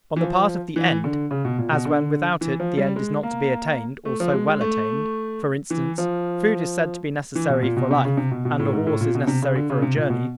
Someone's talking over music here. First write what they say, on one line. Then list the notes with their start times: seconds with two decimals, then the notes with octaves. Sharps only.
On the part of the end, as when without it the end is not to be attained or so well attained: for instance, food is said to be necessary for life, and a horse is necessary for a journey.
0.16 E3
0.21 F3
0.76 E3
1.04 D3
1.31 C#3
1.45 B2
1.58 A#2
1.72 B2
1.85 D3
2.41 E3
2.60 F3
2.77 G3
2.96 G#3
3.23 A#3
4.05 A3
4.20 F3
4.33 G#3
4.48 G#3
4.61 A3
5.70 E3
5.98 F3
7.35 E3
7.49 B2
7.62 A#2
7.77 B2
7.91 C3
8.05 C#3
8.17 C3
8.31 B2
8.45 B2
8.60 A2
8.73 G#2
8.87 A2
9.01 A#2
9.15 B2
9.27 C3
9.42 C#3
9.56 D3
9.70 C#3
9.82 C3
9.96 A#2
10.10 B2